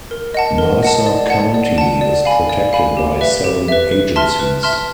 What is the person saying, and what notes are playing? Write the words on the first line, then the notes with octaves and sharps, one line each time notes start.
Mercer County is protected by seven agencies.
A#4
D#5 F#5 A5
A#4
D#5 F#5 A5
D5
F#5 A5
D5
F#5 A5
D5
F5 G#5 B5
D5
F5 G#5 B5
G4
B4 E5
G4
B4 E5
B4
E5 A5 C6 F6
B4
E5 A5 C6 F6